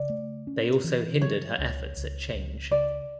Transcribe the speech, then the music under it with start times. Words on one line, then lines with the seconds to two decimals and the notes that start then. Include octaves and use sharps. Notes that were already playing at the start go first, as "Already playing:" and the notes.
They also hindered her efforts at change.
Already playing: C#3 D5
0.10 A3
0.47 C#4
0.84 E3
1.21 F#3 C#5
1.58 C#2
1.97 C#2
2.34 C#2
2.71 C#3 D5